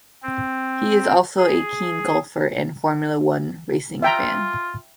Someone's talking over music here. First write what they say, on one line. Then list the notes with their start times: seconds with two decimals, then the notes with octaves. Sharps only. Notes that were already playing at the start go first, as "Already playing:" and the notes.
He is also a keen golfer and Formula One racing fan.
0.23 C4
1.38 G#4
4.02 F4 E5 G5 A#5